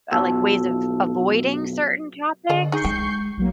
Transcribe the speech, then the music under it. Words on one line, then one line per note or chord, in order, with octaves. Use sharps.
uh, like, ways of avoiding certain topics?
B1 F2 A5 E6
D3 G#4 D5 D#5
D#4 G#4 C#6 G6 C7
G#3 G5
B1 F#3 A#3